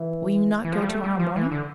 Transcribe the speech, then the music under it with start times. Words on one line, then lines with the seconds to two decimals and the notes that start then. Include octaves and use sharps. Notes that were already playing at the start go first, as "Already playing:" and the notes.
"Will you not go tomorrow morning?"
Already playing: E3
0.65 E3
0.72 F3
0.81 G3
0.89 A3
1.04 G3
1.19 F3
1.36 E3
1.51 D3